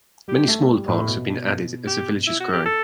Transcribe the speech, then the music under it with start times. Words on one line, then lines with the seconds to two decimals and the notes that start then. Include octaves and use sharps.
Many smaller parks have been added as the village has grown.
0.28 G3 G4
0.48 A3
0.68 G3
0.88 A2
1.08 B2
1.87 G4
2.27 E4
2.40 F#4
2.53 G4
2.66 A4